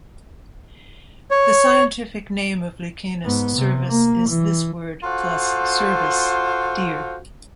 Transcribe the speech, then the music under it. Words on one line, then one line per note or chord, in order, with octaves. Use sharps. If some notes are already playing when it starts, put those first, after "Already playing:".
The scientific name of "Lucanus cervus" is this word, plus "cervus", deer.
C#5
G#2 B3
C3
A#3
E3
F4 F#4 A4 C5